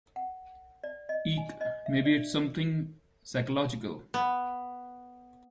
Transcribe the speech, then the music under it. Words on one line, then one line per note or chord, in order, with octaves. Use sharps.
Eek! Maybe it’s something psychological?
F#5
D5
D#5
G#5
D#5
E5
D5
B3